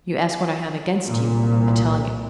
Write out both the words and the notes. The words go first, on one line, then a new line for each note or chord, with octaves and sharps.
You ask what I have against you; I tell you.
C2 A#2